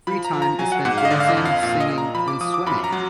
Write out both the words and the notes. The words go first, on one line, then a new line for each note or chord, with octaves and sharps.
Free time is spent dancing, singing and swimming.
F3 B5
A#5
F3
A#5
F#3 G#5
F#5
G#2 F#5
F5
D#5
D3 D5
F5
D#5
F2
F5
A#2 F5
D#5
A#2
A#5
F3 B5
D6
F3 D#6
D6
F#2 B5
A#5
F#3